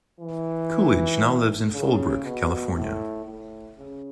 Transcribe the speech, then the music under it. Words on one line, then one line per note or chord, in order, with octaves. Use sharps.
Coolidge now lives in Fallbrook, California.
E3
C#3
B2
A2
A2
C#3